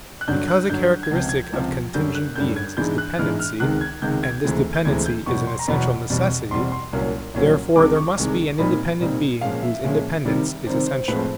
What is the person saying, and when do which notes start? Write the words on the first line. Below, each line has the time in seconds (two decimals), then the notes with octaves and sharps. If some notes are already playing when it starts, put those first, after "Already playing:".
Because a characteristic of contingent beings is dependency, and this dependency is an essential necessity, therefore, there must be an independent being whose independence is essential.
0.21 F#6
0.28 G2 D3 F#3 G6
0.48 F#6
0.70 G2 D3 F#3 G6
1.03 G#6
1.11 C#2 C3 F3 G6
1.29 G#6
1.52 C#2 C3 F3
1.94 F#2 D3 G3 G6
2.15 F#6
2.35 F#2 D3 G3 G6
2.56 G#6
2.77 G#2 E3 G#3 B3 D4 G6
2.98 F#6
3.19 G#2 E3 G#3 B3 D4 F6
3.39 F6
3.60 C#2 C3 D#3 G#3 F#6
3.81 G#6
4.02 C#2 C3 D#3 G#3 G6
4.23 G#6
4.43 D2 C3 E3 G#3 C4
4.75 G6
4.85 D2 C3 E3 G#3 C4 G#6
5.06 G6
5.26 E2 B2 F#3 B3 C#6
5.47 C6
5.59 A#5
5.68 E2 B2 F#3 B3 B5
6.10 E2 B2 G3 C4
6.51 E2 B2 G3 C4 C6
6.72 C6
6.93 C2 A#2 F#3 A#3 C#4
7.34 C2 A#2 F#3 A#3 C#4
7.76 C2 C3 D#3 G#3 D6
7.96 C#6
8.17 C2 C3 D#3 G#3
8.59 A#2 G3 C4 D#4 B5
9.00 A#2 G3 C4 D#4
9.41 A#2 F3 G#3 C#4 F5
9.62 E5
9.83 A#2 F3 G#3 C#4
10.25 C3 D#3 G3 C4
10.66 C3 D#3 G3 C4 C5
10.87 C5
11.08 A2 F3 G#3 C4 B4
11.19 C5